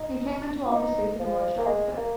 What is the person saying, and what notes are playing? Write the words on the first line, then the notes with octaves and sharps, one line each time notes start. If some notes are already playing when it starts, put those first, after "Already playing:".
He came into office facing a large deficit.
Already playing: D#4
F4
D#4
F3
A#3
G#3
A#3